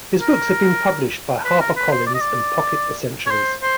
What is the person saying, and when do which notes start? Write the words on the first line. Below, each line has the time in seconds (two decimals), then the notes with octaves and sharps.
His books have been published by HarperCollins and Pocket Essentials.
0.21 A#4
1.45 B4
1.60 A#4
1.76 B4
1.91 C5
2.07 D5
2.14 D#5
2.21 D5
3.27 C#5
3.31 C5
3.62 C5